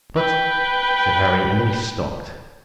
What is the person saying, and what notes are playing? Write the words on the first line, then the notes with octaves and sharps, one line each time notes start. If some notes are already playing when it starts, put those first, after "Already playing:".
"But--" said Harry, and then he stopped.
B4 G5